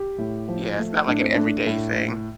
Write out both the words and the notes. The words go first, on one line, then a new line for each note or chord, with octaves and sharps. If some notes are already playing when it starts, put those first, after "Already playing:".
Yeah, it's not like an everyday thing,
Already playing: G4
A2
F3
A3
A2 D4
C4
A3 D4
A2